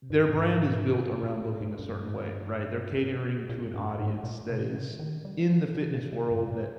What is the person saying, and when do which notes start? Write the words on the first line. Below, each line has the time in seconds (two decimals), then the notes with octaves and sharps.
their brand is built around looking a certain way, right? They're catering to an audience that is in the fitness world that
0.10 G2
0.29 G#2
1.23 A#2
1.42 A#2
1.60 G#2
1.79 G2
3.49 A#2
3.74 G2
3.99 G#2
4.24 A#2
4.49 C3
4.75 C#3
4.99 D#3
5.25 G3
5.50 F3
5.75 C#3
5.94 C#3
6.12 C3
6.31 G2
6.50 A#2